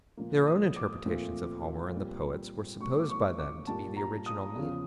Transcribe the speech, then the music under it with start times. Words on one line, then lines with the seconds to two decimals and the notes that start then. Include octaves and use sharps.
Their own interpretations of Homer and the poets were supposed by them to be the original meaning.
0.17 A#2 F3 A#3
0.47 D#6
0.76 D6
1.05 A#2 F3 A3 C4
1.93 A#2 G3 C4
2.80 A2 F#3 B3 C#6
2.99 D6
3.09 C#6
3.39 D6
3.67 A#2 G3 A#3 A5
3.96 A#5
4.26 D#6
4.56 E2 C#3 F3